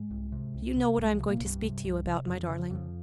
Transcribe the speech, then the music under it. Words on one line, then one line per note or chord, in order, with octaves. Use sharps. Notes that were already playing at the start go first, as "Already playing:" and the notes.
"Do you know what I am going to speak to you about, my darling?"
Already playing: G#2 G#3
C2
C3
C2
C3
C2 G#2 G#3
F3
C3
A#2 A#3
C2
G2 G3
C3
C2
C3
F2 F3
E3
C#3
F3
F2 F3